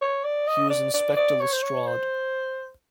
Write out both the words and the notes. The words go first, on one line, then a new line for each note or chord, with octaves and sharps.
He was Inspector Lestrade.
C#5
D5
D#5
D5
D5
D5
C#5
C5
C#5
C5